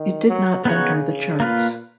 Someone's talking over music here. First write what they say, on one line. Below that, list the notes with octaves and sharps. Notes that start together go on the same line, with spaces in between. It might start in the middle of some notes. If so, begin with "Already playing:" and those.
It did not enter the charts.
Already playing: D#3
F#3
C#3 B3 D#4 F#4 C#5
A#2 A#3 F4 B4